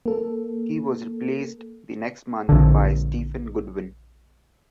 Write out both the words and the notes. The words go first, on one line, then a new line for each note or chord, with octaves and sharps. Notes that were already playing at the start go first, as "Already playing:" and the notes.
He was replaced the next month by Stephen Goodwin.
A#3 A4
A#1 D3